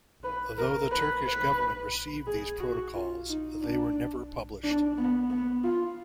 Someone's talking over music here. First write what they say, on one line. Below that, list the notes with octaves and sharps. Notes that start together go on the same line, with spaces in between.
Though the Turkish government received these protocols, they were never published.
B4
A#4
B4
B4
G#4
F#4
F4
D#4
D4
D4
B3
B3
F4